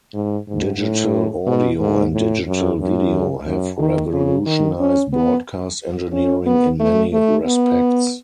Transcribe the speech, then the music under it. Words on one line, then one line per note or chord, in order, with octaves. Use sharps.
Digital audio and digital video have revolutionized broadcast engineering in many respects.
G#2
G#2
A2
B2
G#2
A2
F#2
F#2
F#2
D#3
C#3
D#3
C#4
B3
C#4
B3
A3
A3
B3